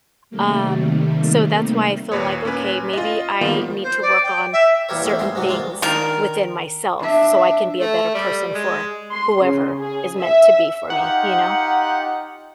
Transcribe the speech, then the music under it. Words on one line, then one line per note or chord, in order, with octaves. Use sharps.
um, so, that's why I feel like, "Okay, maybe I need to work on certain things within myself so I can be a better person for whoever is meant to be for me." You know?
C3 D#3 G3 A3 A#3
D#2 A#2 B4 C#5
A#2 C#4 B4 G#5
F4 D#5
D#3 F3 G3 A#3 B3 F4
C5
D5
G5
E5
A#2 E3 G4 A#4 C#5
E2 A2 A3 A#3
G#2 G#4 C6
G#2 C3 F#3 D4
G#3 A#3 F4 A5
D#3 D4 A#4
D4 E5
A3
G3
G#3
C6
C#3
G#4
E5
D#4 F4 G4 F#5